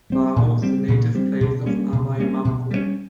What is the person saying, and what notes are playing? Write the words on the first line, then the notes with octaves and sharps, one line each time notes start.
Wao is a native place of Amai Mamco.
G3 C4
A#2
G3 C4
A#2
G3 C4
B2
G3 A#3 C#4
B2
G3 A#3 C#4
B2
G3 A#3 C#4